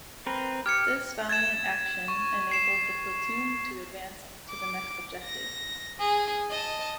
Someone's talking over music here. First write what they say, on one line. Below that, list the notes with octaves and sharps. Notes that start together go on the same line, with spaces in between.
This valiant action enabled the platoon to advance to the next objective.
C4 A#4 B4
G4 F6 G#6 C#7
G#6 A6 E7
C#6
C7 E7
D6
A#6
G#4
D#5 A5